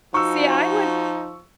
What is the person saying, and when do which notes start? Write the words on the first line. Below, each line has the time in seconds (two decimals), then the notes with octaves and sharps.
See, I would
0.14 F3 D#4 F#4 C#6 E6